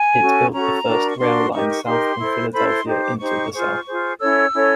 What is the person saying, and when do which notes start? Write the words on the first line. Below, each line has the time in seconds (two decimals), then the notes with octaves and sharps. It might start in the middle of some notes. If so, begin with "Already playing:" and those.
It built the first rail line south from Philadelphia into The South.
Already playing: G#5
0.19 C#4 F#4 A4
0.52 C#4 F#4 A4 A#5
0.86 D4 F#4 A#4
1.11 C#6
1.19 D4 F#4 A#4 C6
1.53 D#4 G4 A#4 C#6
1.69 C#6
1.86 D#4 G4 A#4 C6
2.19 E4 A4 C5
2.52 E4 A4 C5 B5
2.69 C6
2.86 D#4 G4 C5
3.02 D6
3.20 D#4 G4 C5 C#6
3.52 F4 G#4 C5 C#6
3.86 F4 G#4 C5
4.19 C#4 E4 A4 C#5 E6
4.52 C#4 E4 A4 C#5